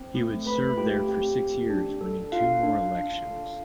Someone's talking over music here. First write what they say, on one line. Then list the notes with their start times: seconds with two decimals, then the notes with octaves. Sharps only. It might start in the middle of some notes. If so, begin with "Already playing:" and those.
He would serve there for six years, winning two more elections.
Already playing: C4
0.15 A3
0.46 A3 B4 B5
0.77 F4 G4 G5
1.08 C4 G4 G5
1.39 A3
1.70 D4
2.01 A4
2.32 F4 F5
2.63 D4
2.94 D4
3.25 A4